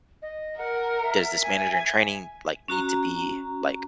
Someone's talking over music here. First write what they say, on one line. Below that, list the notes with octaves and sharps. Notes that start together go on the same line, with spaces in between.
does this manager-in-training, like, need to be, like,
D#5
A#4 F#5
E5
G#5
C#4 F#4 A#5